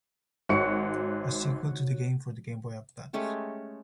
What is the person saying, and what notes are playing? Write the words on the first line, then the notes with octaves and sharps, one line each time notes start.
A sequel to the game for the Game Boy Advance.
G#1 F#4 C#5 F#5 C#7
G#3 A3 C#4 G4